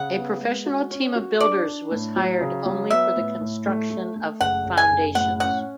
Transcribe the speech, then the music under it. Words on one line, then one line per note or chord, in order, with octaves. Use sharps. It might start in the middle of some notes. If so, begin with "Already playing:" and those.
A professional team of builders was hired only for the construction of foundations.
Already playing: C#3 F#5
B3
G#3
F#4
C#4
F#4
D4 D5
D4
A2
F#3
C#3
F#3
B3 E5
A2
A2
A3
A3
A3
F#1 F#5
F#1
G#5
F#1
A2 F#5
C#4 F#5